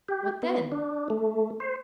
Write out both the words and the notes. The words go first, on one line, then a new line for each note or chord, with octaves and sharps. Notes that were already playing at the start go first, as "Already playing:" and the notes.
"What then?"
G4
B3
D4
A3
C5